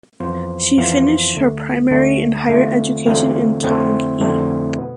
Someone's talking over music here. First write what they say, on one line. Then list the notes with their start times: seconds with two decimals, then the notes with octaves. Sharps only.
She finished her primary and higher education in Taunggyi.
0.20 F2 E3 B3 F4 C5
0.77 F2 E3 B3 F4 C5
1.35 D2 D3 A3
1.91 D2 D3 A3
2.49 E2 D3 A3 C4 F4
3.06 E2 D3 A3 C4 F4
3.63 F2 D3 A3 C4 E4
4.20 F2 D3 A3 C4 E4
4.78 B2 B3